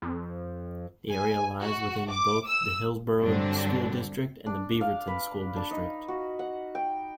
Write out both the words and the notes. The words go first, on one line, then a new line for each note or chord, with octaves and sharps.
The area lies within both the Hillsboro School District and the Beaverton School District.
F2
G#5
F#4
D6
E6
G2 D3 F#3 C4 D4
D4
F5
B4
D4
D#4
F#4
F#5
G5